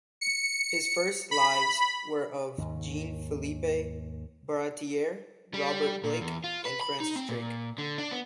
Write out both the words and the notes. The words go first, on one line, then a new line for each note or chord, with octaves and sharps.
His first "lives" were of Jean-Philippe Baratier, Robert Blake, and Francis Drake.
C#7
B5
D#2 G#2 D#3
G3
A#2
E2
F4
B4
B5
D#4
C4
A#2
D3
D4
B3